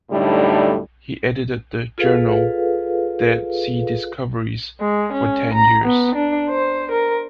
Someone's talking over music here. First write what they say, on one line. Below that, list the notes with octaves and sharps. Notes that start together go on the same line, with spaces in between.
He edited the journal "Dead Sea Discoveries" for ten years.
F#2 A2 D3 G3 A3 D#4
F4 G#4 A4 B4 F5
G#3
C#4
A#5
B3
D4
C5
A#4